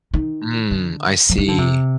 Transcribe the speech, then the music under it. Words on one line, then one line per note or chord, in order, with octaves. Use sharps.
Mm. I see.
D#3
D3
F3
D#3
D3
C3